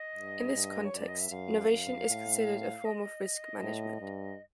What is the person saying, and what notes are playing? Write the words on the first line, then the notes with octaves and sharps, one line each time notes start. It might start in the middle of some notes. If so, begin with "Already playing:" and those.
In this context, novation is considered a form of risk management.
Already playing: D#5
G2
G2
C#5
F#2 D5
D#5
E5
F#2 F5
F#2
A2
D#5
A2
G2